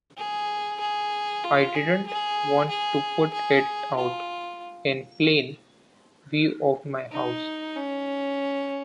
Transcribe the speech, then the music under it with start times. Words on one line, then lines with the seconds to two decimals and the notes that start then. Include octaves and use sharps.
I didn't want to put it out in plain view of my house.
0.17 G#4
0.80 G#4
1.44 F4
1.74 G#4
2.07 G#4
2.69 G#4
3.34 G#4
3.97 F4
7.12 D#4
7.76 C#4